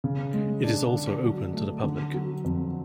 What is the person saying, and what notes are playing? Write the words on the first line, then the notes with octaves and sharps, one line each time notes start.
It is also open to the public.
C#3
G#3
D4
D3
F#3
A3
D3
F#3
F2